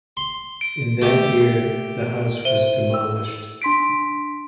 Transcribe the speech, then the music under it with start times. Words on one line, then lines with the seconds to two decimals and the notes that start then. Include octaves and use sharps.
In that year the house was demolished.
0.17 C6
0.61 D7
1.02 A3 G4 D6
2.45 C5 E5 D#7 G7
2.94 E6
3.62 D4 C6 B6 D7